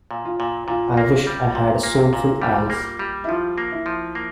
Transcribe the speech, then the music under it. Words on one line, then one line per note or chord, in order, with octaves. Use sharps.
I wish I had soulful eyes.
A#2
F4
A#2
A#2 F4
A#3
G3
A#2
A#3
A#2
G3
A#3
G3
E4
F3 F4
A#3
E4
F3
A#3